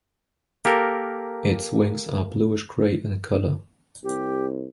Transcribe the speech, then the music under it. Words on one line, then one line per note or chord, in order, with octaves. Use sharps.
Its wings are bluish-gray in color.
A#3 G4 A4 A#4
C2 G4